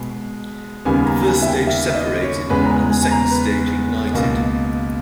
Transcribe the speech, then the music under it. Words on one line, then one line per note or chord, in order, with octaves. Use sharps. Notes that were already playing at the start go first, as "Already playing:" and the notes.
The first stage separated and the second stage ignited.
Already playing: B2 G#3 B3
D#2 C#3 G3 B3 G#5
A#5
G#5
E5
G5
E5
E5
D#5
C#5
E2 C#3 G#3 B4
A#5
G#5
G#5
G#5
A#5
B4
C#2 B2 A#3